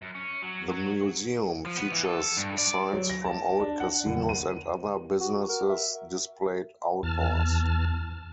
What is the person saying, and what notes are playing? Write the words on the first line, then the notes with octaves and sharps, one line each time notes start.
The museum features signs from old casinos and other businesses displayed outdoors.
F#2
C#4
F#3
F#3
F3
B3
E3
A4
G2
D5
F#3
A#6
A5
D4
F#5
F#1
D#7
F#4
A#4
E5
E2 A5 F6